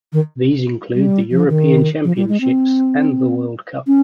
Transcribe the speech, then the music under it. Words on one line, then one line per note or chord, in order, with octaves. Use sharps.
These include the European Championships and the World Cup.
D#3
G3
F3
D#3
F3
G3
G#3
C4
C#4